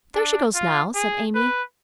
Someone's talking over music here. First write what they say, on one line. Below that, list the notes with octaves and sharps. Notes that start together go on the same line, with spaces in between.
"There she goes now," said Amy.
D4
F4
G#4
B4